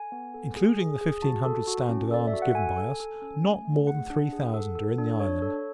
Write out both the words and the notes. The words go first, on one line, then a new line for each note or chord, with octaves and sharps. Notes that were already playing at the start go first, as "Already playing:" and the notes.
Including the fifteen hundred stand of arms given by us, not more than three thousand are in the island.
Already playing: A4 G#5
B3
A4
G#4
G#4
G#4
F#4 A5
A4
F#4
C#4
A4 D5
E5
F#4
F#5
A4 G#5
A4
A4
C#4
A3
A3
G#4 F#5
D4
G#4
A4
A4
D4
D4 C#5
A4